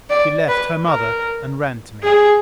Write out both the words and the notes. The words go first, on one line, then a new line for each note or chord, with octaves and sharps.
She left her mother and ran to me.
D5
B4
A#4
G#4